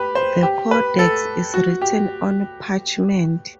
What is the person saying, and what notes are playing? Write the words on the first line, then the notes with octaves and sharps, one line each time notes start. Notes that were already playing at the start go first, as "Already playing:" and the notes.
The codex is written on parchment.
Already playing: G4 B4
C5
G4
B4
A4
F#4
G4